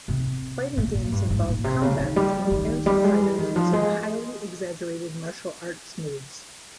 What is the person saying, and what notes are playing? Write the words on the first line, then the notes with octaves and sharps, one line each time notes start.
Fighting games involve combat between pairs of fighters using highly exaggerated martial arts moves.
C3
A#2
A#2
G2
G#2
A#2
C3
C#3
D#3
G3
D#3
G3
G#3
G3
D#3
F3
G#3